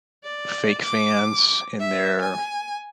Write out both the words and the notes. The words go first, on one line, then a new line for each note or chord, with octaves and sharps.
fake fans in their
D5
D6
E5
G#5